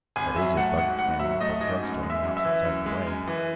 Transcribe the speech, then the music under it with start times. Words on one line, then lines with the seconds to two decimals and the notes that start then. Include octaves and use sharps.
"That is his buggy standing before the drug-store on the opposite side of the way."
0.16 G#1 G#5
0.36 F#3 E5
0.57 A3 F#5
0.78 G#2 F#5
0.99 G#1 F#5
1.20 F#3 E5
1.41 A3 D#5
1.61 G#2 D#5
1.83 F#2
2.03 G#3
2.10 E5
2.23 F#2
2.37 E5
2.44 E3
2.65 F#2
2.86 G#3
3.06 F#2
3.27 E3